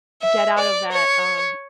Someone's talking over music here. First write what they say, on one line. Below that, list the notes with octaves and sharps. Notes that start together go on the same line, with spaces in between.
get out of that, um,
E5
D5
C#5